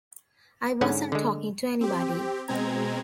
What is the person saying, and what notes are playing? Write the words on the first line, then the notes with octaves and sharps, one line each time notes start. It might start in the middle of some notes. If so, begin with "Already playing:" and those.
I wasn't talking to anybody.
G#2 D3 C#4 F#5 G#5
D3 G#3
C4 G4
B2 G#3 C4 A#5 G#6